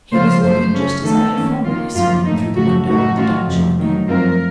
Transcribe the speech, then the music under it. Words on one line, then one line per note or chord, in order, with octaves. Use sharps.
He was looking just as I had formerly seen him through the window of the Donjon Inn.
C#3 F3 A#3 F4 C5
F#2 F3 A3 C5
C#3 A3 C#4
D#3 A3 D#4 A4
D#3 A#3 C#4
D#3 A#3 F4
F#2 F3 A#3 F4
A2 A3 D#4
F#2 C#3 A3 F#4
A2 A3 D#4 F#4
D#3 F#3 A3 C#4 F4
F2 C3 F3 A3
D#3 F#3 A3 D#4
F#2 F3 A3 C4 F4 A#4